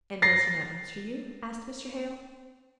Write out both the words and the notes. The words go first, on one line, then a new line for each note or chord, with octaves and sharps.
'And does he not answer you?' asked Mr. Hale.
A6 A#6 C7